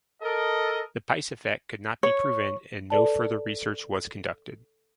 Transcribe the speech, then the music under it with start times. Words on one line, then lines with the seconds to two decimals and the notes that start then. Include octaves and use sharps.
The "Pais Effect" could not be proven and no further research was conducted.
0.22 A4 A#4 D#5
2.03 C#5
2.90 A4 B4 D5 A5